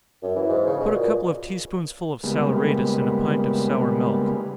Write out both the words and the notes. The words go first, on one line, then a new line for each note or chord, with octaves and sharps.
Put a couple of tea-spoonsful of saleratus in a pint of sour milk.
F#2
E3
G#2
C#3
B2
A#2
C#3 G3 G#3 A#3 B3